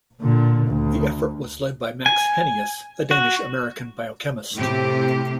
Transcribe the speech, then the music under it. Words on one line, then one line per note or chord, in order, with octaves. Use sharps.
The effort was led by Max Henius, a Danish-American biochemist.
A#2 D3
D2
G#5
F#4
A2 C3 G4